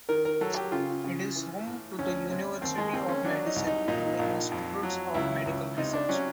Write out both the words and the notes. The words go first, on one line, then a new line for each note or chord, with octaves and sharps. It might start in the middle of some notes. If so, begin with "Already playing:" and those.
It is home to the university of medicine and the institutes of medical research.
D#3 A#4
A#4
F#3 A4
G4
C#3 F4
C#3
E3
A2
D2 C#4
C3
D#2 C4
G#3
D#2 C4
C#4
F#3 D4
D#4
C2
D#4
A#2 D#4
A#1
F2
F#3
C#2 E4
C#2
C3 D#4
D4
F#3 C#4